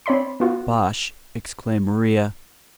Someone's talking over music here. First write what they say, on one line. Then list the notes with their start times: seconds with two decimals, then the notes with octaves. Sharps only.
"Bosh!" exclaimed Maria.
0.06 C4 C#5 D5 B5 C6
0.40 B3 F4 F#4